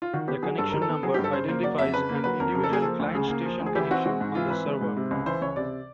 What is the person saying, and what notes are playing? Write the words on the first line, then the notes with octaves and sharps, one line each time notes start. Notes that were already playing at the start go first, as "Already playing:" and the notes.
The Connection Number identifies an individual client station connection on the server.
F4
D#3 F#4
B3 G4
F#3 G#4
G2 A4
D#3 A#4
A4
B3
F#3 G#4
G4
G2
A4
C#3 C5
A#3 C5
F#3 D5
F2 E5
C#3 B4
A#3
F#3 B4
F2 A#4
C#3 A#4
A4
A#3 G#4
F3 A4
D2
C#3 G#4
A#3
F3
D2
G#4
E3 G4
C4 F#4
G#3 F#4
G#2
E3 F4
C4 B4
G#3
G#2
C3
C#2
E3 C5
C#2 C#5
C3 D5